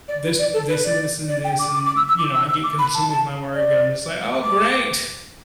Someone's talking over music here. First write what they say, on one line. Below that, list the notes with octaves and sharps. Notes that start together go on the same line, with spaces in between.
this this and this and this, and" you know, "I get consumed with my work," and I'm just like, "Oh, great."
D5
B4
D5
A4
B4
D5
D5
G5
D6
D6
D6
E6
E6
D6
E6
E6
D6
B5
A5
A5
D5
D6